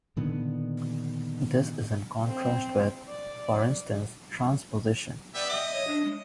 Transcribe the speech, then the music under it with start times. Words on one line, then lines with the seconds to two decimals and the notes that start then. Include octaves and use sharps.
This is in contrast with, for instance, transposition.
0.16 A#2 D3 D#3 B3
2.27 C4
3.08 D5
5.35 B3 G4 D5 E5
5.50 D#5 E5
5.73 C#5
5.87 D4
6.05 G#3